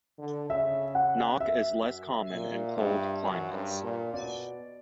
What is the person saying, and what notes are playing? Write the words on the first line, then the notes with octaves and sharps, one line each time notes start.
Knock is less common in cold climates.
D3
C#3 E5
F#5
F#2 E5
A#2
G2
F#2
G2
A#2
B2 D5